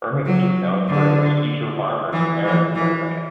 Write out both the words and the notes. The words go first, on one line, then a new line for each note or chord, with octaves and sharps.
Hermitage is known for its Future Farmers of America program.
F#3
D3
E3
E3
E3